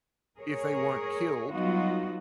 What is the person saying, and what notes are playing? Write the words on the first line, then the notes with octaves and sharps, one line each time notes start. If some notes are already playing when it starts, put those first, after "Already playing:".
if they weren't killed,
G#4 A#4 C#5
F#3 G3 B3 D#4 F4 F#4